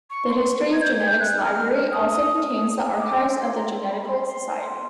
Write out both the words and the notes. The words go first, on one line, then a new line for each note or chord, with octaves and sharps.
The History of Genetics library also contains the archives of the Genetical Society.
C#6
C6
G#6
G6
G#6
G6
F#6
F6
D#6
D#6
D#6
D6
C6
A#5
C6
B5
B5
C6
C6